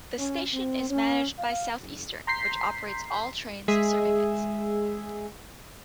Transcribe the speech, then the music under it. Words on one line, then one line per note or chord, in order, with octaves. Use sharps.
The station is managed by Southeastern, which operates all trains serving it.
C#4
C4
C#4
F5
F#1
A#5 C6 G6 B6 C7
G#3 G#4 E5